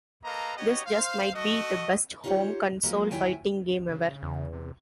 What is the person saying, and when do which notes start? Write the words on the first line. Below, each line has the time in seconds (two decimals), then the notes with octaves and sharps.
This just might be the best home console fighting game ever.
0.24 A#3 A4 B4 D#5 F5 A#5
0.57 B3 D#4 F#4 G4 C#5 D#5
0.86 C5 F5
1.34 A3 F#4 D#5
2.24 D#4 F4 G4 A4 C5 C#5
2.83 F3 F#3 G#3 A#3 C#4 D#4
3.11 D2 G2 E4 C#5 G5 G#5
3.91 C#3
4.23 E2
4.53 C3